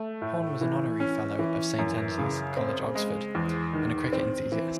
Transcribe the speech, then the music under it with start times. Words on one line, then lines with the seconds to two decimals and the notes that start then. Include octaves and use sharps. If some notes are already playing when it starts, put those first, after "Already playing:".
Horne was an Honorary Fellow of Saint Antony's College, Oxford, and a cricket enthusiast.
Already playing: A3
0.22 A2
0.61 E3
1.00 C#4
1.39 E3
1.78 F#2
2.18 C#3
2.57 C4
2.95 G#3
3.35 E2
3.74 D#3
4.13 C4
4.52 E3